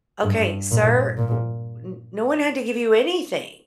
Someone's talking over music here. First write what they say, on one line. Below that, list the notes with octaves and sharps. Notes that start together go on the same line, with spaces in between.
"Okay, Sir w n no one had to give you anything!
G2
A#2
A#2